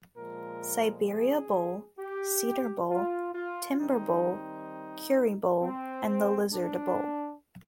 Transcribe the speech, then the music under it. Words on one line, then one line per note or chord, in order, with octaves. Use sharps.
Siberia Bowl, Cedar Bowl, Timber Bowl, Currie Bowl, and the Lizard bowl.
A#2 F3 G#3 A#4
G#4
G4
F4
F4
D#3 G3 C4 D#4
C4
D4